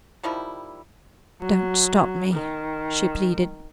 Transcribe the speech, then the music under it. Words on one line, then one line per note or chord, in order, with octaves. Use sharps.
"Don't stop me," she pleaded.
D#3 F3 G3 E4
F#3
D#3